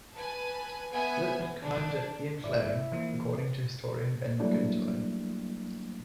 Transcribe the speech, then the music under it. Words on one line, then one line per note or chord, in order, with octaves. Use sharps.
Lieutenant Commander Ian Fleming, according to historian Ben Macintyre.
B4 G#5 A5
B3 E5 G#5
D4
G#1 E4 D5
E3 F3 A#3
F#3 G3 A3 A#3 D4 E4